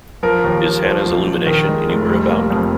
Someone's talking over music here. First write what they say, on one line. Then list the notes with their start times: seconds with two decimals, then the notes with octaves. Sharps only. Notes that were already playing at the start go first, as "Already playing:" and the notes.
Is Hannah's illumination anywhere about?
0.23 F3 A#4
0.44 D#2
0.64 D#2
0.84 F3 C5
1.06 A#1
1.27 A#1
1.46 D#3 A#4
1.68 G#3
1.89 F1
2.09 G3
2.29 A#3
2.51 F2